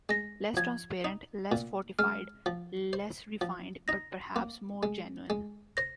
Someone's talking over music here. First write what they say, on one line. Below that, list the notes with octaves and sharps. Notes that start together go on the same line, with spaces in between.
Less transparent, less fortified, less refined: but perhaps more genuine.
G#3 A#6
F3 G#6
D#4
A#2
G#3 F6
F3
C5
F3
D#4 A#6
A#3
G#3
G#3
C5 A#6